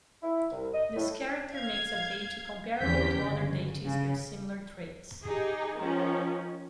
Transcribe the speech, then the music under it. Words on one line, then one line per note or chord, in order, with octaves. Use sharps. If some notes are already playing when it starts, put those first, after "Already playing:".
This character makes a deity comparable to other deities with similar traits.
E4
C2
D#5
A2
F5 G#6
G1 E2 C#4 G4 G6 B6
G1 C#3
C#3
D#4 G4 G#4
D#3 F3 C#4